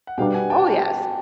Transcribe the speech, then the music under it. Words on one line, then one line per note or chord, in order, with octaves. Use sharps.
Oh, yes.
F#5
B2 G3 B3 D4 F5 G5
F#5 G#5
G5 A5
G5 A5
G5 A5